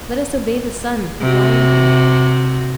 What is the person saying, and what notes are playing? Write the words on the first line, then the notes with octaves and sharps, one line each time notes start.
Let us obey the sun blindly.
C3 F#4